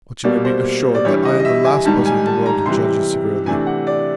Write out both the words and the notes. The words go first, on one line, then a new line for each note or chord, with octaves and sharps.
But you may be assured that I am the last person in the world to judge you severely.
B2 G3 A#3 D5
C5
D5
G2 E3 G3 C#5
D#5
D#5
E5
G#5
G#2 D#3 G3 A5
G#5
A5
A#5
C3 E3 G3 C6
C3 E3 A3 D4 G#5
F#5
D5